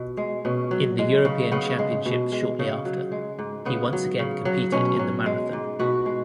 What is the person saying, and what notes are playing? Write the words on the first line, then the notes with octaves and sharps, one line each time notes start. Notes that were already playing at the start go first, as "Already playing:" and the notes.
In the European Championships shortly after, he once again competed in the marathon.
Already playing: B2
G#3
B2 C#4
F#3
G#3
C#3
C#3 B3
G#3
B2
G#3
C#3
F#3
G#3
G#2
C#3 B3
F#3
C#3
F#3
B2 C#4
F#3
G#3
G#2
B2 F#4 B4
G#3